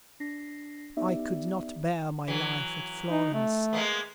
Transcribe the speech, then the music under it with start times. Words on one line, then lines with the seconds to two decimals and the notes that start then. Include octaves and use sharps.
I could not bear my life at Florence.
0.20 D4 A#6 C7
0.97 B3 D#4 G4 D5 E5
2.28 E3 F#3
3.10 D#4
3.34 A3
3.73 G#3 A#3 B3